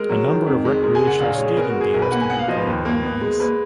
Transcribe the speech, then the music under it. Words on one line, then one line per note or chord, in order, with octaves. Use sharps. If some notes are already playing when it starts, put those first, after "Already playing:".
A number of recreational skating games can be played on ice.
Already playing: G#3 A#4
F#3
D#3
F2
G#3
G#3 A#4
G#5
C#3
F#5
A#1 F5
C#5
G#3
G#4
B3 A#4
F#4
G#3
G#4
B1 A#4
B4
A#3 F#5
G#5
B3 F#5
F5
F3 D#5
B4
D#2
A#3
B3
G#3
A#3 B4